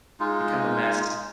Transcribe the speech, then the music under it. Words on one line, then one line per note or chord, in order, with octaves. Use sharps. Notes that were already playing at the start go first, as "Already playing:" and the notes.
become a mess.
G#3 D#4 F4